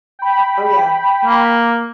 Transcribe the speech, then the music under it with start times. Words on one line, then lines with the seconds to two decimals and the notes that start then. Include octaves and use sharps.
Oh, yeah.
0.19 G5 B5
1.25 A#3